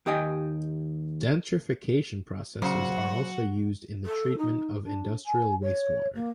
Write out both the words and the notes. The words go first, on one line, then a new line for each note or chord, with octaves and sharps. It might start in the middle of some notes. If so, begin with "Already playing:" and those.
Denitrification processes are also used in the treatment of industrial wastewater.
D#2 G4 D#5 G5 G#5
A#2 C#3 F#3 F#4 C5 F#5
A4
D#4
D4
G#5
C#5
A#3